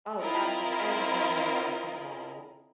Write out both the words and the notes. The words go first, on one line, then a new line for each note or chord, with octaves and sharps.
Oh, absolu everyone loves pickleball.
C4 E4 F4 A#4 D#5